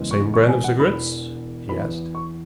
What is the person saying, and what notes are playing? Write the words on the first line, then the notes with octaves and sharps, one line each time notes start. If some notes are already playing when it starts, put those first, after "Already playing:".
"The same brand of cigarettes?" he asked.
Already playing: F#1 E2 E3 G#3 B3
C#6
C#6
G#5
F#5
E1 E2 E3 B3 B5
E2 E3 B3 B5
C#6